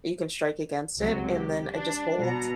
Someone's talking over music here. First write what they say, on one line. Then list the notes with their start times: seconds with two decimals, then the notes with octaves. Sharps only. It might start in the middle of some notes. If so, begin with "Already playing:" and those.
that you can strike against it, and then I just hold,
0.98 C#2 C3 F#3
1.28 G4
1.73 D4
2.21 B2 A#5